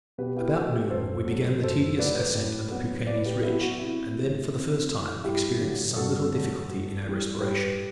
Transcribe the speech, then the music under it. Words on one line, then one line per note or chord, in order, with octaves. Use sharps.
About noon we began the tedious ascent of the Peuquenes ridge, and then for the first time experienced some little difficulty in our respiration.
B2 G4 B4
E4 G4
A3 F#4 A4
G4 B4
F#2 A4 C5
F#3 A3
F#2 A4 C5
F#3 A3 B4 D5
A2
F#3 B3
A2 B4 D5
G4 B4
F#3 B3 E4 G4
F#4
C3 E4
E3 A3
C3
E3 A3
G2 E4 G4
D3 F#3 A3
G2 F#4 A4
D3 F#3 A3
G2
E3 G3
G2 G4 B4